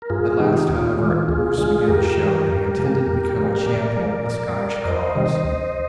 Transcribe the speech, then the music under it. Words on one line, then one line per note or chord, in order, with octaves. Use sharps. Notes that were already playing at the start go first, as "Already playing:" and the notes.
At last, however, Bruce began to show that he intended to become a champion of the Scottish cause.
A#4
G2 F4 G#4
D#3 G#3 D#4 G4
D#2 F4
D#3 G#3 F4
D2 F4 G#4
D3 G#3 F4 G#4
F2 G4 A#4
D#3 G3
F2
C3 F3 G#3
F2
D3 F3 G#3
A#2 A#4 D5
F3 G#3
A#2
G3
F2 C5 D#5
C3 D#3 G3
D2